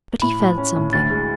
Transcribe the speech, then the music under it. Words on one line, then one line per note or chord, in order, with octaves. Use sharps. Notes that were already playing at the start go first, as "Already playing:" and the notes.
But he felt something.
A2 B5
A2
C#4
A2
D2 A6
G#3